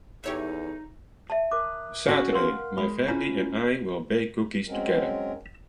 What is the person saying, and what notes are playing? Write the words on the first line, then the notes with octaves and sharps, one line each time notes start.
Saturday, my family and I will bake cookies together.
E2 D#4 G4 A4 C#5 E5
E5 A5
A#4 D6 D#6 F#6
C#4 F#4 C#5
A#4 F5 F#5 C6 F6
G#3 B5
C#4 E4 F4 A#5
F#3 G#3 C4 C#4 A#4